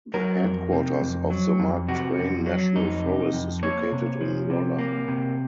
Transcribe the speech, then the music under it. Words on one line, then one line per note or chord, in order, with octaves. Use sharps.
The headquarters of the Mark Twain National Forest is located in Rolla.
F#3 A#4
F2
C3
F2
F#3
F2
C3 F#4
F2
F#3
F2 D#4
C3
F2
A#3 C#5
C3
F3
C3
A#3
C3